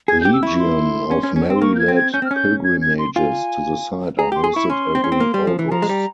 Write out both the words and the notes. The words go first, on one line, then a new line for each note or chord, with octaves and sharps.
Legion of Mary-led pilgrimages to the site are hosted every August.
G#4 G#6
G6
G4
E6
E4 C#6
C6
C#4
C#4
C#4
C4
C6
A#3 C#6
G6
G#6
C4
G#6
C#4 G6
C4 F6
C#4 G6
G#6
G#6
C6
F4 G#5
G#4 A#5
G4 C6
G#4
E4 C#6
C#4 C6
C4
C#4
C4
A#3
G3
F3
E3
G#5
F3 A#5
G#3
G3